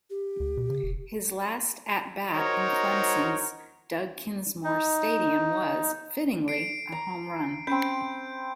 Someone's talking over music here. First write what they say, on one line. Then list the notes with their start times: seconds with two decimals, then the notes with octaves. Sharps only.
His last at-bat in Clemson's Doug Kingsmore Stadium was, fittingly, a home run.
0.10 G4
0.40 D2
0.57 B2
0.70 C#3
0.84 E1
2.33 D#4 F#4 A#4 C5 C#5 A#5
4.64 D#4
6.48 C7 D7
6.92 A#5
7.67 C4 C#4 B5 G6 D7